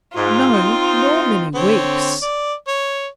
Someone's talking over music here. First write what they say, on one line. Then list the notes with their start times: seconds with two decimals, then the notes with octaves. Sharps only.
"No--nor many weeks."
0.16 G#2 F4
0.53 C4 D#4
1.55 D3 C4 C#5
2.22 D5
2.67 C#5